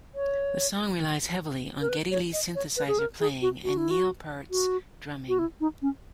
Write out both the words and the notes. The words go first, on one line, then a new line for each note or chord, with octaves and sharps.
The song relies heavily on Geddy Lee's synthesizer playing and Neil Peart's drumming.
C#5
A#4
B4
C#5
D#5
C#5
B4
G#4
A#4
G#4
F#4
F#4
E4
F#4
F#4
F#4
E4
D#4
C#4